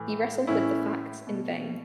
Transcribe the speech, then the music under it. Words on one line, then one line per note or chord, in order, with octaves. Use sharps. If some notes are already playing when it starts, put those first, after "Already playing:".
He wrestled with the facts in vain.
Already playing: A2 E3
A2 E3 C#4 E4
B2